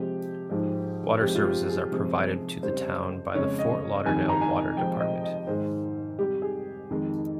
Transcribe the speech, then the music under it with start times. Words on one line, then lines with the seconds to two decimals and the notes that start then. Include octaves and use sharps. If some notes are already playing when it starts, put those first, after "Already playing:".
Water services are provided to the town by the Fort Lauderdale Water Department.
Already playing: C3 F3 G#3 G4
0.49 G#2 F3 G#3
1.21 C3 F3 G#3 G4
1.35 F4
1.45 G4
1.69 G#4
1.92 C3 F3 G#3
2.63 F2 C#3 G3 C5
3.35 F2 C#3 G#3 C#5
3.59 D#5
4.06 F2 D#3 G3 G#5
4.29 A#5
4.41 G#5
4.77 C3 F3 G#3 G5
5.00 D#5
5.24 D#5
5.47 G#2 D#3 G#3 C5
6.19 C3 G3 G4
6.42 G#4
6.90 F2 D#3 G#3